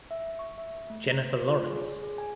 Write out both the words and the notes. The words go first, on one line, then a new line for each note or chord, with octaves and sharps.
Jennifer Lawrence.
E5
C#6
E5
A3
A#5
C5
F4
G#4
C#5
G#4
G#5